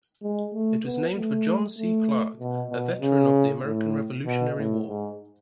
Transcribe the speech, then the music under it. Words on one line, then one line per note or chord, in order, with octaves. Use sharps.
It was named for John C. Clarke, a veteran of the American Revolutionary War.
G#3
A3
B3
A3
A3
B2
B2
C#3
A2
B2
A2
G#2